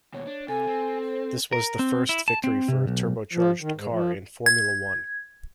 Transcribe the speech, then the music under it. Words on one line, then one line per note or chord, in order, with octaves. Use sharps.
This was the first victory for a turbocharged car in Formula One.
D#2 B2 C#5
D4
C3 A4 G#5
C4
C5
A#4
C4
E4
A5
C4
C3
B1
F3
D#3
G#2
F3
G#6